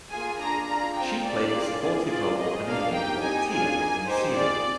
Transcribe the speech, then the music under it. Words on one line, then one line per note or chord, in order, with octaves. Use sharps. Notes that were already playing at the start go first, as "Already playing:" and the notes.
She played the supportive role of an alien called "Tia" in the serial.
A#3 F4 G#4 G#5
D4 F4 G#4 A#5
D4 F4 G#4 A#5
C4 F4 G#4 G5
A#3 D4 G4 D5
A#3 D4 F4 G#4
C4 F4 G#4
A#3 F4 G#4 D5
C4 F4 G#4 D#5
A#3 D4 G#4 F5
A#3 D#4 G4 G5
C4 D#4 G4 G#5
D4 F4 G#4 G#5
A#3 D#4 G#4
A#3 D#4 G4 C5
C4 F4 G#4 D5